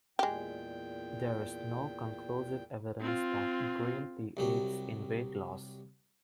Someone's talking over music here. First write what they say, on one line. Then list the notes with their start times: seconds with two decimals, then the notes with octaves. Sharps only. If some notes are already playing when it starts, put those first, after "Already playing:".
There is no conclusive evidence that green tea aids in weight loss.
0.19 E2 A#2 G#3 G4 G5
3.00 C4 F4
4.37 C2 F#3 G4